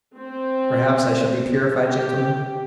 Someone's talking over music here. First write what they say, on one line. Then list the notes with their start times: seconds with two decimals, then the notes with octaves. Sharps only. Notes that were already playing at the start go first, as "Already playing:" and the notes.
Perhaps I shall be purified, gentlemen?
0.17 C4
1.82 G4